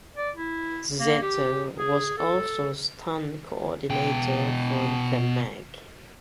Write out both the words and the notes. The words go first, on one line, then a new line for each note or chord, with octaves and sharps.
Szeto was also stunt coordinator for The Meg.
D5
E4
A#3
G4
G#4
A4
B2 G5